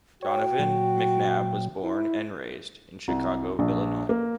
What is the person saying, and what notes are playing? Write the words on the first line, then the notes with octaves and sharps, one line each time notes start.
Donovan McNabb was born and raised in Chicago, Illinois.
F#4 C#5 G5
A#2 F#3
E4
C2
A#1
A#3